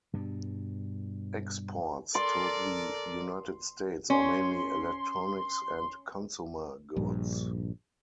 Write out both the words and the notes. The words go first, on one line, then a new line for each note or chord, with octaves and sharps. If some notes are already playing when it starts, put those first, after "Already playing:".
Exports to the United States are mainly electronics and consumer goods.
G2 B2 G3
A4 A#4 D5 C6
C#4 C6
A#1 G2